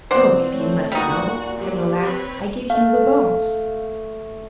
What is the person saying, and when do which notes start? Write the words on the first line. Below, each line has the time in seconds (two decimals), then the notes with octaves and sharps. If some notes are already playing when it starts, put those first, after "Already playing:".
"Oh, if you must know," said the lad, "I gave him the bones."
0.11 F3 C4 C5 D5 F#5
0.53 A3 C#5
0.92 A#2 G3 D#4 F#4
1.60 F#3 G4
2.01 C4 B4 C#5
2.70 A3 F5